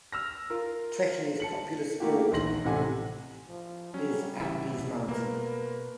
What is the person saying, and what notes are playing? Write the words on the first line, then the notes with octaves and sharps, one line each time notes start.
Trekking is popular sport is at these mountains.
E6 F6 A#6
F4 A#4
A5 C#7 F#7
A3 A#3 E4 F#4 G4
A#1 E2 D#3 C6 A#6 F#7
A1 A2 C3 A4 F#5 G#5
F3
F#3 G3 C#4
A1 C#3 E3 E4 E5
B2
B2 A#3 A#4 B4